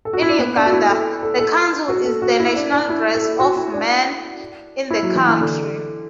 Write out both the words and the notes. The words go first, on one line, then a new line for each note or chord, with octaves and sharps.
In Uganda, the "kanzu" is the national dress of men in the country.
A4
F#4
E4
D4
B3
D4
F#4
E4
A4
A4
A4
F#4
A4
F#4
E4
D4
D4
E4
A4
F#4
E4
D4
E4
F#3
E3
E3
D3